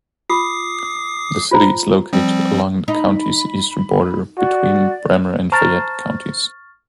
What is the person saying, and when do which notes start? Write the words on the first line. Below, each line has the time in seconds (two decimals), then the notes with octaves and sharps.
The city is located along the county's eastern border, between Bremer and Fayette counties.
0.30 F4 D6 D#6 C7
1.51 F4 C5 A#5
2.13 F3 G3 C4
2.88 D#4 B5
4.38 F#4 D5
5.52 C5 A5 A#5 C#6 F6 A6